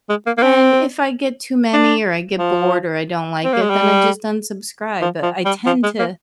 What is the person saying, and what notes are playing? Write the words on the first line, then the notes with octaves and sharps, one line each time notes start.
and, if I get too many or I get bored or I don't like it, then I just unsubscribe, but I tend to
G#3
A#3
A#3
C4
D4
F3
C4
A#3
G#3
G3
F3
F3
G3
F3
G#3
A#3